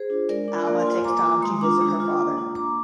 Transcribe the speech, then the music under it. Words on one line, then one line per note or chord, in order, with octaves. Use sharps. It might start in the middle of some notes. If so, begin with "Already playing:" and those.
Alma takes Tom to visit her father.
Already playing: G#4 C5
D4 F4
G#3 A#4 D5
D4 F4
A#3 A#4 D5
G#5 C6
F4
G#5 C6
A#3 A#5 D6
A#5 D6
F4
G#3 C6 D#6
D4 F4 A#5 D6
G#3
D4 F4
A#3
D4 F4
A#3 A#5 D6